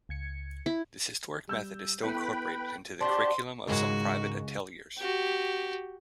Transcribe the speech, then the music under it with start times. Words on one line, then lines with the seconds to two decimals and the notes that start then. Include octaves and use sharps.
This historic method is still incorporated into the curriculum of some private ateliers.
0.09 C#2 G#6 C#7
0.66 E4
1.48 G3 E6 G6
2.02 B3 E4 A4 B4 G5 B5
3.01 D4 F#4 G4 C5 D5 A5 C6
3.67 C#2 G#2 D#3 G#3 F#4
4.98 F#4 G4